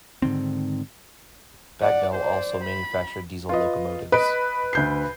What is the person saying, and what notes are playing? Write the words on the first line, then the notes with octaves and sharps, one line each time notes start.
Bagnall also manufactured diesel locomotives.
G#2 D3 D#3 C4
D5 F#5
C5 D5
B5
F4 B4 D#5
B4 D#5 D7
D2 G6 C7